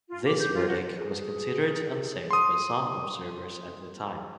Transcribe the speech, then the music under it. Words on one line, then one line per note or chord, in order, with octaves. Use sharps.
This verdict was considered unsafe by some observers at the time.
F4
D6
G6
F4
F#4
G#4
C6 D#6